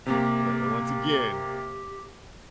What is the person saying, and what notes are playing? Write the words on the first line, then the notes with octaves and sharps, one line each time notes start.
But a once again
C3 A#3 G4